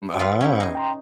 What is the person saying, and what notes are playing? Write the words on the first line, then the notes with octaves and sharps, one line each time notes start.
M ah.
F4 B4 F5
C#4 E4 G4
D#4 G#4
G5 A#5 C6